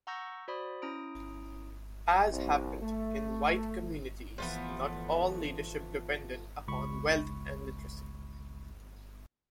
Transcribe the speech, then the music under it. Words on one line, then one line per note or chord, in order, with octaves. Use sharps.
As happened in white communities, not all leadership depended upon wealth and literacy.
F#5 A#5 C#6 E6 G6 A#6
F#4 C5 D5 B5 D#6
C#4 E4 A#5 D#6 D7
C2
A3
E2 F3 A3 B3
C#2 B5 C#6